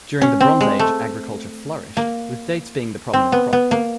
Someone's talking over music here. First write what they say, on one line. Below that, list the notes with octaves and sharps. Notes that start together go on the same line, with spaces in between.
During the Bronze Age, agriculture flourished, with dates being the prominent crop.
C#4
C4
G#3
A3
A#3
C4
B3
B3
A#3